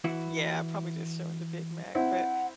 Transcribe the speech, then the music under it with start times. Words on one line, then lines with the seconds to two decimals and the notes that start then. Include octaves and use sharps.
Yeah, probably just showing the Big Mac, but
0.04 E3 E4 F#4
1.95 C4 E4 F#5